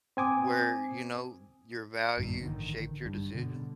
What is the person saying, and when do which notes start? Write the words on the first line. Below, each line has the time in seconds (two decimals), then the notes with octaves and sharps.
where, you know, your value shaped your decision?
0.17 C4 G#5 D6 D#6
2.17 A#1 G2 A#2 D#3
2.40 A1 D3 D#3
3.06 G2
3.34 B2 D3